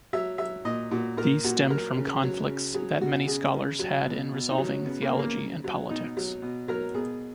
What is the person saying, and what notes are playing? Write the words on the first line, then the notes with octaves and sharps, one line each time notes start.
These stemmed from conflicts that many scholars had in resolving theology and politics.
F#3 E5
F#3 E5
A#2 D#5
A#2 F#4
A#2 A#4
A#2 F#4
F#3 A#4
C#3
F#3
C#3
F#3 G#4
B2 F#4
C#3 G#4
C#3
F#3
B2
B2
D#4
F#3
C#4
C#3 B3
A#3
C#3
A#3
C#3
F#3
B2 D#4
F#3
B2
F#3 A#4
B2 G#4